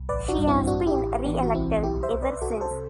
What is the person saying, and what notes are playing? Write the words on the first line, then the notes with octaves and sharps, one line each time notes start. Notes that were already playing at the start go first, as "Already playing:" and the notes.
She has been reelected ever since.
Already playing: C2
A1 B4 D5
D4 F#4
G2
C4 E4
A1 D4 F#4
E4 G4
A1
E3 B3 D4
F#4
C2 C4 E4
B1 E4 G4
C5 E5
B1
B4 D5
C2 F#4 A4
A4 C5
C3